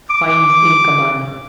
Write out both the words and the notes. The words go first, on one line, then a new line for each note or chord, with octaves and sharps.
Fines in command.
D6